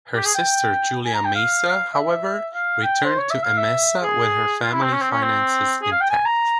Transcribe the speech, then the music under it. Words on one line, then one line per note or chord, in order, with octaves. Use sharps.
Her sister Julia Maesa, however, returned to Emesa with her family finances intact.
G4
G#4
G5
G#5
A#5
G5
F5
E5
F5
G5
C5
C#5
E5
F5
E5
G#4
F4
E4
C4
C#4
C4
C#4
C4
G#4
F5
G5
G#5
A#5